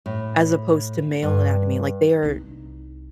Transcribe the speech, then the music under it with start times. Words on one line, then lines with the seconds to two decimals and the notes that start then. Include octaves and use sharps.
as opposed to male anatomy, like, their
0.06 A2
1.22 G2
2.23 C2 D#4